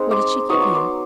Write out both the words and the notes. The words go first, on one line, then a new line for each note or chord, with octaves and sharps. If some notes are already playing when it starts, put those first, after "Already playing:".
'What did she give you?'
Already playing: G#3 C4 D#4
C6 D6
F#3 B3 D#4 C#6 D#6
C6 D6
C6 D6